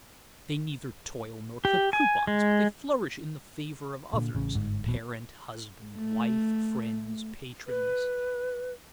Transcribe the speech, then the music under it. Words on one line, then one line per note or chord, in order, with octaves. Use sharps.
They neither toil nor clip coupons, but they flourish in the favor of others--parent, husband, wife, friends, patrons.
G4
G#5
G#3
A#2 D3
A1 C#3
G1 G#2
D#1 A#1 B2
A3
B4